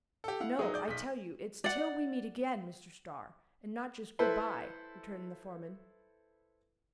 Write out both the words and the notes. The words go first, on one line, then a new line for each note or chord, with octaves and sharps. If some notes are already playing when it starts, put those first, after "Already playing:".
"No, I tell you, it's TILL WE MEET AGAIN, Mr. Starr, and not Just 'good-by,'" returned the foreman.
G4 A4
E4 F5 F#5
F#3 D#4 G#4 E5
D5 G6
B1 B6
D5 F#5
E4 A4 B4 C5